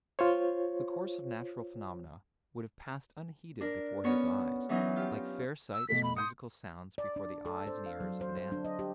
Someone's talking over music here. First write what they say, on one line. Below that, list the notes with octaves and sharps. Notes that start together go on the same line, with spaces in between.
The course of natural phenomena would have passed unheeded before his eyes, like fair sights or musical sounds before the eyes and ears of an animal.
F4 C5 C#5
D4 A#4
B3 C#4 F#4 C#5
E3 F#3 B3 C#4 D#4 F#4
F4 G4
E6
B2 A3 A4 B6
B5
C6 D#6 G6 C#7
D5
D4
A4
C5
F5
F#3
C5
C5
D4
D#5
G4